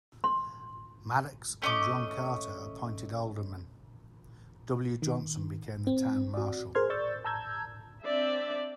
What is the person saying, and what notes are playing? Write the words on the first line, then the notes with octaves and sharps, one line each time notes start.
Maddox and John Carter appointed aldermen; W. Johnson became the town marshal.
C6
A3 C#4 D#5 D6
D#3
C4
F#4 D5
G#4 A#4 C5 C6 F6 G#6
D5 C#6 E6 G6 A6
A5 A#5 E6 G6 G#6
C4 D4 D5 E5